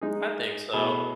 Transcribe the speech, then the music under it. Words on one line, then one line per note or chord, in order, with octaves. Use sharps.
I think so.
G#3 D#4 G#4
B2 A3 E4 G#4